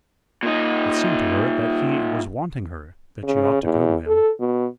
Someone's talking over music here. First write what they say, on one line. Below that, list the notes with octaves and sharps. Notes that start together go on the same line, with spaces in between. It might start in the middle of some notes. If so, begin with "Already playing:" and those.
It seemed to her that he was wanting her, that she ought to go to him.
A#2 D#4
C#3
E2
A4
B2